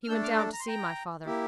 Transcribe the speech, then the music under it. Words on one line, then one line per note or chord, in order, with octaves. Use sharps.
He went down to see my father.
F6
A3 D4 A4 E6 G6
D6 F6
C6
A#5 D6
A#5
C6
G5 A#5
A#3 E4 G4